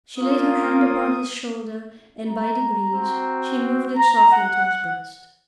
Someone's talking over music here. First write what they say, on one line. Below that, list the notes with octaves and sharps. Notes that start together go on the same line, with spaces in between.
She laid her hand upon his shoulder, and by degrees she moved it softly to his breast.
A#3 F4 D#6
A#5
C4 F#4
A#5
F#5